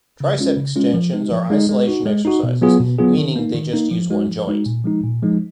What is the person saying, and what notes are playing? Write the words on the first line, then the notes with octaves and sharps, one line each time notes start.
Triceps extensions are isolation exercises, meaning they use just one joint.
C#3
G#3 C#4 F4
C#3
G#3 C#4 F4
F3
G#3 D#4
F3
G#3 D#4
G#3
D#4 F#4
G#3
D#4 F#4
B2
F#3 B3 F4 G#4
B2
F#3 B3 F4 G#4
D#3
A#3 D#4
D#3
A#3 D#4
F3
G#3 D#4 F#4
F3
G#3 D#4 F#4
A#2
F3 G#3 D#4
A#2
F3 G#3 D#4